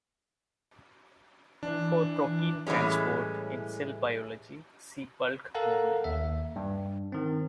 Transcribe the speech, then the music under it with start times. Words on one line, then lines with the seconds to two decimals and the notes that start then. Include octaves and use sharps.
For "protein transport" in cell biology see Bulk movement.
1.63 E3 D4
2.67 A2 E3 G3 G#3 C#4
5.55 A4 A#4 F5 F#5 A5 A#5
6.04 D#2 E5
6.56 G2
7.12 D#3 C4